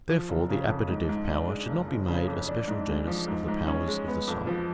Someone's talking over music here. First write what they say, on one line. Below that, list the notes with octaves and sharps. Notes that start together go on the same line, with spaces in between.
Therefore the appetitive power should not be made a special genus of the powers of the soul.
F3
F#1
C#3
F2
G#2
G#2
D4
G#3
F#1
F#1
C#3
F2
D4
G#2
G#3
F3
G#2
G#2
C#4
G#3
B3
F2
F3